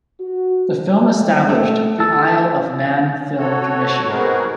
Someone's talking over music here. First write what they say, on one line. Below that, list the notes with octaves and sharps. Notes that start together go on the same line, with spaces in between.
The film established the Isle of Man Film Commission.
F#4
A3
A4
F#4 A4 C#5
B3 C4 D#4 F#4 G#4 A#4